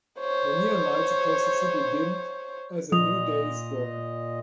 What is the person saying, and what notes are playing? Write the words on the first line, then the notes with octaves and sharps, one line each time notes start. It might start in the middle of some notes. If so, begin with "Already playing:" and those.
The neon lights across the city dimmed as a new day is born.
C5 C#5
A#2 F3 D#5 D#6 F7